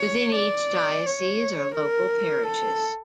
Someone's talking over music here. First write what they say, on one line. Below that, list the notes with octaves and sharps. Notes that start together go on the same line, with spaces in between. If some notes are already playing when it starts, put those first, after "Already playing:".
Within each diocese are local parishes.
Already playing: C#5
D5
C#5
A#4
A4